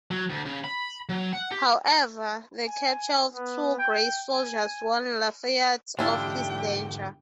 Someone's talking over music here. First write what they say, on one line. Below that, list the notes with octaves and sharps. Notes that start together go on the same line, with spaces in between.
However, the capture of two of Grey's soldiers warned Lafayette of his danger.
F#3
D2
C#3
B5
F#3
F#5
G4
G#5
B3
G5
G#5
G#2 D3 D4 E4 F4 G4 G5